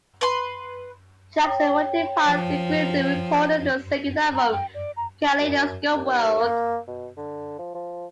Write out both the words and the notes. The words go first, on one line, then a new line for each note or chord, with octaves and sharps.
Jackson would depart the group during the recording of their second album, "Kaleidoscope World".
B4 C6
C#5 G5
F3
A#5
G5
D5
A#5
F#2
D#2
A#3
B2
D3
F3
F3